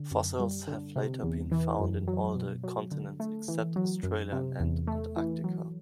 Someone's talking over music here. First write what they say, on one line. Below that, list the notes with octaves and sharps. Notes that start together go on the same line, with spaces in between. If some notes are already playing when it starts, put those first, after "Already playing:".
Fossils have later been found in all continents except Australia and Antarctica.
Already playing: D3
F#2
G3
D3
C3
E2
E3
F#2
F#3
B2
F#3
D3
A3
E3
F#3
F#2
C3
E2
A3
E3
F#3